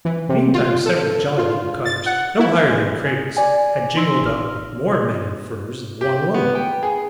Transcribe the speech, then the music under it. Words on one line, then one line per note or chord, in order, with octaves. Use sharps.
Meantime several jolly little cutters, no higher than cradles, had jingled up with more men in furs and one woman.
E3
C3
F4
A4
F4
A6
F#5
E4
G#3
G#4
D5 G#5
D#4 C6 E6 A#6
A1 F6
G4
B3
G5
G#4